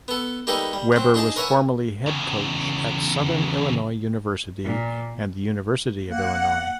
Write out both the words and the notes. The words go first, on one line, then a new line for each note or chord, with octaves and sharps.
Weber was formerly head coach at Southern Illinois University and the University of Illinois.
B3 A4
G3 A#3 D#4 G4 A4 B4
G3
F#3 C4
D4 D#4 G#4 D5 A5
A#4 B4 C#5 E5 F#5 G#5
E2 C#3
A#2
A#3 F#5